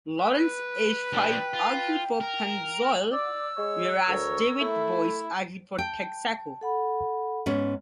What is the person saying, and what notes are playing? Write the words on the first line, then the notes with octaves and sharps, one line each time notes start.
Laurence H. Tribe argued for Pennzoil, whereas David Boies argued for Texaco.
B4
F3 D4 G5
F4
A#4
D5 E6
G#3 C#5
D2 A#4
A3 E4
G5 A5
A4 F#5 B5
G#2 B3 C#4